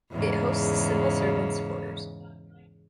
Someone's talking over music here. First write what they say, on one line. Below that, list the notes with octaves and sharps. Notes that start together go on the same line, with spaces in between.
It hosts the civil servants quarters.
E2 G#2 C#3